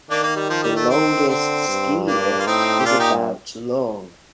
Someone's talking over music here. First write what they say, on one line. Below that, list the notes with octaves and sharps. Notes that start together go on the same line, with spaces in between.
The longest ski lift is about long.
D#3 A#3 D4
A#3
G3
F3
G3
A3
C4
D3 C4
G2
A#3 D4
F4
A2 C4 D#4
G4
A#2 D4 F4
D#4 G4